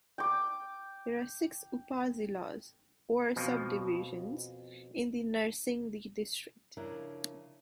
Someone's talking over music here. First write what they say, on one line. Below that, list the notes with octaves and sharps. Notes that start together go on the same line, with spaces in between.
There are six upazilas, or subdivisions, in the Narsingdi district.
G5 D6
F2 B2 F3
C#3 F3 D4 E4 A#4